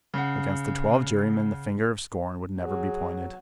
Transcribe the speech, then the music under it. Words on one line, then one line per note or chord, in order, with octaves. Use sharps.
Against the twelve jurymen the finger of scorn would never be pointed.
C#3 F#5
F#3 G#4